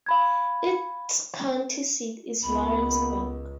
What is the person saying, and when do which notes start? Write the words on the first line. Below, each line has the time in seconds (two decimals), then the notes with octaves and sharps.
Its county seat is Warrensburg.
0.06 F5 B5 G#6
2.43 C#2 A#3 B3 B5